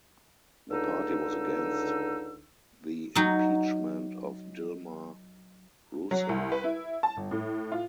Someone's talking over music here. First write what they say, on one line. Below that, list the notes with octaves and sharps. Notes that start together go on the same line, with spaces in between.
The party was against the Impeachment of Dilma Rousseff.
C#2 D3 D#4 E6
F#3 D#4
F#3
C2
B4
E4
A5
G1
A2
F4